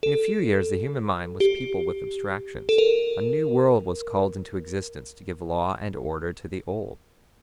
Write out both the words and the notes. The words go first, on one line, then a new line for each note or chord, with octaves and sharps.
In a few years the human mind was peopled with abstractions; a new world was called into existence to give law and order to the old.
A4
G4
A4
A#4